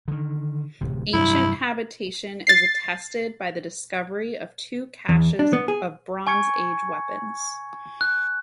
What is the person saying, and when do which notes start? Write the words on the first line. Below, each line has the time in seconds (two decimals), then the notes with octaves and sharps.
Ancient habitation is attested by the discovery of two caches of Bronze Age weapons.
0.08 D3 D#3
0.81 D1 C3
1.13 G2 C3 F#3 E4
2.47 A6 C7
5.09 E2
5.39 D4
5.53 B3
5.68 G#4
6.27 G#5 C#6 G#6 C#7
8.01 F#6